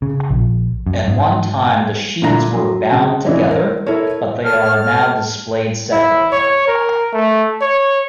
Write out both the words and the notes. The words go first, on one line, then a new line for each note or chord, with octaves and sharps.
At one time the sheets were bound together, but they are now displayed separately.
C#3
A#1
F#2
G#2
A#2 D3 D4 E4 A#5 A#6
F#3
C#3 G#3
E3 C#4 E4 D5 D#5
A#4
E4 A4 A#4 C#5
A4 C#5 A5 F6
E4
C#5
A#4
A3
C#5